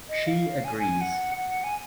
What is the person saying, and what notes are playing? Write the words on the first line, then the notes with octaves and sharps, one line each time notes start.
She agrees.
D#5
F5
G#5
G#5
F#5
F#5
G#5